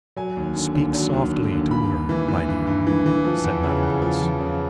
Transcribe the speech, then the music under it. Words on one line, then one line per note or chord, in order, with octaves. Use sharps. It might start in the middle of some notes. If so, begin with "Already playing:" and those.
'Speak softly to her, my dear,' said Madame Voss.
F#3 G#5
D#2
D3
D#2
F#3
D#2
D3
D#2
G2 B5
G2
E3
E3
G2
G2
E3
E3
F3
E2
C#3
E2
F3
E2
C#3